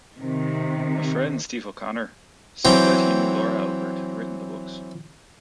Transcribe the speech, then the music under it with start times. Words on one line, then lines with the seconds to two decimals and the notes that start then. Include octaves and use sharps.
A friend, Steve O'Connor, said that he knew Laura Albert had written the books.
0.19 C3 D#3
2.65 E3 F#3 C4 G5 A#5